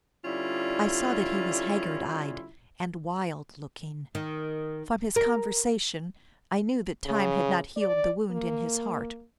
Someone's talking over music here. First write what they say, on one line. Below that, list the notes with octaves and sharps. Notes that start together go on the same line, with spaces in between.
I saw that he was haggard-eyed and wild-looking. From his conversation, I knew that time had not healed the wound in his heart.
D3 G3 C#4 E4 F4
D#3
A#4
C#3
D5
A#3